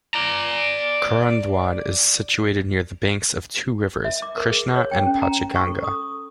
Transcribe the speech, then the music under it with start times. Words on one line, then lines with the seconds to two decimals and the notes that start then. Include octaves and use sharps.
Kurundwad is situated near the banks of two rivers, Krishna and Panchaganga.
0.14 D5 A#5
4.05 E5
4.22 D6
4.37 A#4
4.50 G#4
4.76 C#5
4.91 G5
5.06 C#4
5.22 A#5
5.55 C#6
5.67 A4
5.84 D#6